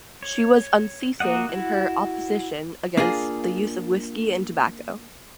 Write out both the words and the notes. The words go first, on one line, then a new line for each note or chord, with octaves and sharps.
She was unceasing in her opposition against the use of whisky and tobacco.
C#5
A#3 F#4 D#5 F#5
E4 F#4
A#3 D4 F4 G#4